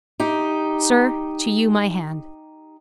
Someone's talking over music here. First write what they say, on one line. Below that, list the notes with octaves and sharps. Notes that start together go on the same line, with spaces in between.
Sir, to you my hand.
D#4 G4